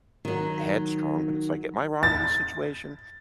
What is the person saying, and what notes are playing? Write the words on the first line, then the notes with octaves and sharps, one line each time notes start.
headstrong, but it's like, am I wrong in this situation?
D#3 F#3
A6